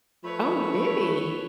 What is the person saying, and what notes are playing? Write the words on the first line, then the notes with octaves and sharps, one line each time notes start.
Oh, did he?
F3 A3 B4 C#5 B5